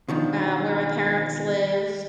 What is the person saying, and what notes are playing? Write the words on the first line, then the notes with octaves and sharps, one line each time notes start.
um, where my parents live,
B2 D#3 F3 D4